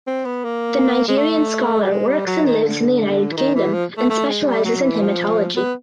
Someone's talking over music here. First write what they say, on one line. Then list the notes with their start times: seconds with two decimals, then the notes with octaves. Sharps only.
The Nigerian scholar works and lives in the United Kingdom and specialises in Hematology.
0.07 C4
0.25 B3
0.44 A#3
1.08 G#3
1.17 A3
1.82 G3
1.90 G#3
2.08 G3
2.27 F#3
2.45 D#3
2.64 D3
3.32 E3
3.37 D#3
3.55 E3
3.73 F3
3.97 A3
4.10 A3
4.28 G#3
4.46 G3
4.65 F#3
4.83 E3
5.01 F3
5.56 B3